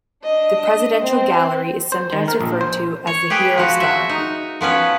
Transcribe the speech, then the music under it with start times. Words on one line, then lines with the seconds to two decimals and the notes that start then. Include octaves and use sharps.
The Presidential gallery is sometimes referred to as "The Heroes' Gallery".
0.23 D4 D#5
0.99 C4
1.92 C5
2.13 D#3
2.28 A#4
2.41 A#1
2.61 C5
3.07 C#5
3.30 G4 G#4 B4 G5
3.58 F3 F#4
3.80 F#4 E5
4.09 D#4
4.61 F3 B3 C#4 B4